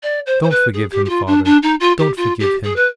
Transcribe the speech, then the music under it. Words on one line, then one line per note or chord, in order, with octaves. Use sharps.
'Don't forgive him, father, don't forgive him!
D5
C5
C5
B4
G#4
G4
G4
F4
D4
D4
D#4
F4
G4
F4
G4
G#4
B4